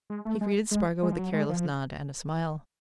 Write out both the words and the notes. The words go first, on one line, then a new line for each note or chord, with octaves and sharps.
He greeted Spargo with a careless nod and a smile.
G#3
A3
G#3
G#3
G#3
F3
F#3
G#3
F3